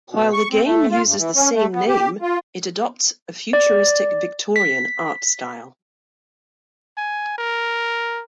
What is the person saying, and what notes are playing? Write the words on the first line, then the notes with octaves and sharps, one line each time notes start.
While the game uses the same name, it adopts a futuristic, Victorian art style.
B2
C#6
C4
A3
F4
G2
E3
C#4
A3
B3
G4
F4
D5
B6
G#5
A#4